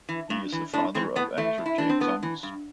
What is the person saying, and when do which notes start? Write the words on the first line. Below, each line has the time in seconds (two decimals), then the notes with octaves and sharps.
He is the father of actor Jake Thomas.
0.09 E3
0.30 G2
0.52 E3
0.74 A2 D4
0.95 E3 C4
1.16 A2 B3
1.38 E3 A3
1.58 A2
1.66 E4
1.78 E3 D4
1.89 C4
2.00 A2 B3
2.23 E3
2.43 G2